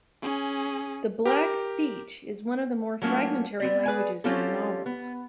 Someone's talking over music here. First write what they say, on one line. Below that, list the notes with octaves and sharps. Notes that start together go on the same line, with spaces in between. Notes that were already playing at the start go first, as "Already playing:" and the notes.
The Black Speech is one of the more fragmentary languages in the novels.
C#4 G#4
G4 A#4
F#3 A3 A#3 C#4 F4
B3 C4 D5
G#4 B4 D5 G#5
F#3 C4 C#4 F4 G4 A4
B3